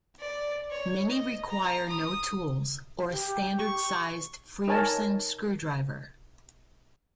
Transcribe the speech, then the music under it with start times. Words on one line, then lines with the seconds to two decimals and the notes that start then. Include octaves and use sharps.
Many require no tools, or a standard-sized Frearson screwdriver.
0.19 D5
0.70 C#5
1.08 D#5
1.47 A#5
1.89 D#6
3.10 G4
3.59 C#6
4.68 D#4 A#4 C#5 G#5 A5